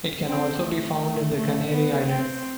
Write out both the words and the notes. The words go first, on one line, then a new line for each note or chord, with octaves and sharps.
It can also be found in the Canary Islands.
C4
A3
A3
B3
C4